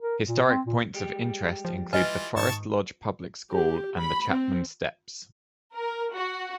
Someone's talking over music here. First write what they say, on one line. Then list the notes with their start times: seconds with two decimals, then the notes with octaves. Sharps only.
Historic points of interest include the Forest Lodge Public School and the Chapman Steps.
0.01 A#4
0.27 A#2
0.47 C4
0.66 A#2
0.94 G3 G#3 G4
1.65 F3
1.93 E3 F4 B4 D#5 G#5 D7
2.36 G#2 D#3 A5 C#6
3.52 G4
3.98 B5
4.31 C4
5.75 A#4
6.16 F#4